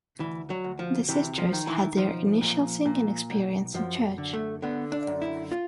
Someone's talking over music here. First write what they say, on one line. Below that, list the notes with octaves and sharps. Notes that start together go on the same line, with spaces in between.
The sisters had their initial singing experience in church.
D2 E3
F#3
D2
F3
C3 E3
F3
D#3
E3
B1 F3
A#2
A#2
B1
F#2 F3
D3
A3
D3 B3
D4
F#2
E4
F4